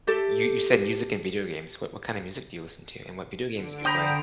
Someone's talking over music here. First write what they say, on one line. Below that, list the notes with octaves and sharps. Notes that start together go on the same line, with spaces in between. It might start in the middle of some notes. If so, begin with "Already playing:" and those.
You you said music and video games. What what kinda music do you listen to, and what video games do you play?
G4 A4 E5
D3 D7
C5 G5 A#5 B5 D#6 G6